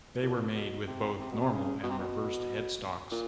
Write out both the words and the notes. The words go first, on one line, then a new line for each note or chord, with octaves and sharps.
They were made with both normal and reversed headstocks.
A#2
B2
C3
C3
B2
C3
C#3
B2
C3
B2
A#2